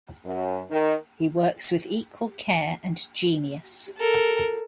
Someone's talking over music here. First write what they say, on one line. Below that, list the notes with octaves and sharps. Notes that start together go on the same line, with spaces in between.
He works with equal care and genius.
F#2
D#3
A4 A#4